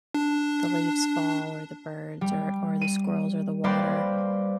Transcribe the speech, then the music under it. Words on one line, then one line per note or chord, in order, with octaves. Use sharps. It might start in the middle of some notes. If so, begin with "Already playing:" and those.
the leaves fall or the birds or or the squirrels or the water
D4
G3
D#7
G3 A#3 B4 C5 D5